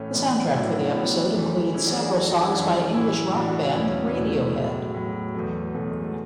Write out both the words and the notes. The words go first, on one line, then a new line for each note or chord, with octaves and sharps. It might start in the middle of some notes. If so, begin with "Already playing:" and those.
The soundtrack for the episode included several songs by English rock band Radiohead.
Already playing: A2 E3 A3 C#4
A2 E3 B3 D4
A2 F#3 C#4 E4
D4 F#4
C#4 E4
A2 F#3 B3 D4
F#2 E3 A3 C#4
G#3
A3
F#2 E3 C#4 E4
D4 F#4
E4 G#4
F#2 E3 F#4 A4
D4 F#4
C#4 E4
F#2 E3
A2 E3 C#4 E4
A2 E3 D4 F#4
D4 F#4
C#4 E4
E2 B2 F#3 C#4 E4
C#4
B3 D4
E2 B2 F#3 C#4 E4
A3 C#4
G#3 B3
A2 F#3
A2 F#3
E2 B2 F#3 A3
E2 B2 F#3 A3
G#3
A3